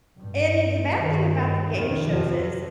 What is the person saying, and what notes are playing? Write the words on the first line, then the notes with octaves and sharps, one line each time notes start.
and and the bad thing about the game shows is,
G2
G2 D#3
F2 C3 D#3
F2 F3